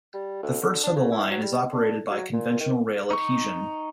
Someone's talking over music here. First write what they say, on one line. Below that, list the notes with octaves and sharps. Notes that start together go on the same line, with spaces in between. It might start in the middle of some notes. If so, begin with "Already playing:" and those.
The first of the line is operated by conventional rail adhesion.
G3
D2
D3
D4
C#3
E4
F#3
G3
D4
F#3
A#2
D#3
D#4 C#6